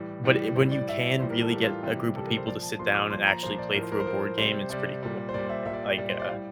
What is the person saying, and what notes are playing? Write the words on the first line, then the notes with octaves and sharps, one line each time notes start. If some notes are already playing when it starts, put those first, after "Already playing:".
but i when you can really get a group of people to sit down and actually play through a board game, it's pretty cool, eh, like, uh,
Already playing: A2 E3 G3
A2 E3 G3
A2 G3 C5
D5
A2 G3 E5
A2 E3 G3 C5
A#4
A4
A2 E3 G3 G4
F4
C3 E3 G3 F4
G4
C3 E3 G3 A4
A#4
C5
A#2 F3 D5
A5
A#2 F3 C6
D6
A#2 F3 C6
A#5
A#2 F3 C5
D5
A2 F3 A#4
C5
A#4
C5
A2 F3 A#4
C3 G3 C5
C3 G3 D5
A#2 G3
C5
A#2 G3 D5
D5
E5
A#2 G3 E5
D5
E5
A#2 G3 D5
C5
D5
A2 G3 F5